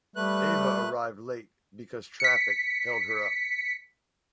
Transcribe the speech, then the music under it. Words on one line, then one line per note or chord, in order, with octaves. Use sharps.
"Ava arrived late because traffic held her up".
G3 A3 B4 F#6
B6 C#7